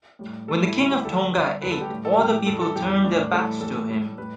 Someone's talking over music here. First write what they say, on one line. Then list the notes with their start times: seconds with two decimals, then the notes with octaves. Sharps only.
When the king of Tonga ate, all the people turned their backs to him.
0.19 A2 G3
0.48 A2 G3 A4
0.62 E4
0.76 D2 D3 G3 E4
0.91 G4
1.05 D2 D3 G3 A4
1.33 G2 D3 G3
1.61 D2 D3 G3 B4
1.71 A4
1.81 G4
1.90 A2 G3
2.05 A4
2.18 A2 E3 G3 G4
2.46 G2 E3 G3 A4
2.61 A4
2.76 E2 E3 G3 G4
2.89 G4
3.03 A2 G3 D4
3.18 D4
3.32 A2 E3 G3 A4
3.61 A2 E3 G3 A4
3.89 A2 G3
4.18 A2 G3 B4